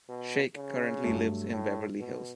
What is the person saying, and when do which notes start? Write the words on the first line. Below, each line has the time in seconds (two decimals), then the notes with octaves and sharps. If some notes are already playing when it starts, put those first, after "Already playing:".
Shake currently lives in Beverly Hills.
0.09 B2
0.56 C#3
1.04 G2 F#3 A3
1.51 A2
1.99 B2